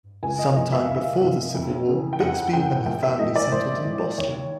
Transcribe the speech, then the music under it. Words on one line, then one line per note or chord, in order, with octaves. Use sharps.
Some time before the Civil War, Bixby and her family settled in Boston.
C#2 G#5
D#5
C3 F3 D#5
E5
C#2 F5
E5
C3 F3
F2
C#3 E3
G5
F2 F#5
C#3 E3 G5
A#1 G5
E5
G#2 E3 D#5
D5
A#1 C5
G#2 E3
D#2 C#5